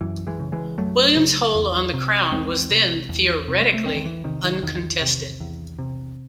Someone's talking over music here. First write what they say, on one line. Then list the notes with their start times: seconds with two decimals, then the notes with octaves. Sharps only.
William's hold on the crown was then theoretically uncontested.
0.01 F#2 E3
0.27 E3 G#3
0.40 C#3
0.52 E3 G#3
0.78 F#2 F#3 A3
1.16 C#3
1.55 E2
1.93 C3
2.32 E2 G#3 C4
2.70 C3
3.09 E2
3.48 C3
3.61 G#3
3.74 A3
3.86 E2 G#3 C4
3.96 D#3
4.05 E3
4.24 C3 D#3
4.44 D#3
4.63 E2 D#3
5.02 C3
5.40 E2
5.79 C3